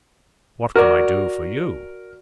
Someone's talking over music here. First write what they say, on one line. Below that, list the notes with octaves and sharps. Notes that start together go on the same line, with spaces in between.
What can I do for YOU?
F#4 A#4 D5